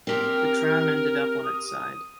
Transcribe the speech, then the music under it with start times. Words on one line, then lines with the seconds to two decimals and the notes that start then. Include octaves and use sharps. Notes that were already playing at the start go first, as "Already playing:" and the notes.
The tram ended up on its side.
0.07 C4 G4 A#4 G5
1.44 D#6